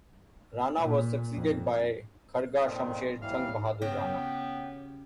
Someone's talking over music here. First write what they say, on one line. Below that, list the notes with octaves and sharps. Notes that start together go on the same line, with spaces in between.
Rana was succeeded by Khadga Shumsher Jung Bahadur Rana.
A#2
F2
F2 A#2 D#3 F3
D#2 E3 G3 F5 F6
C#3 B3 F#4 G4 C#5 G5